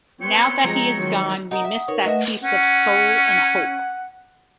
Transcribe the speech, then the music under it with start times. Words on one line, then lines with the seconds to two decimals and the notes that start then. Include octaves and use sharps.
Now that he is gone we miss that piece of soul and hope.
0.21 B3 C4 B4 C#5 C6 C#7
0.64 F3 G#3 A#5
0.95 D#3 F#3
1.51 D#4 A#4 F#5 D#6
1.64 E5
1.88 D#4 A#4 B4 C#5
2.04 A3 F#4 B4 D#5 E5 F#5
2.44 C#4 F#5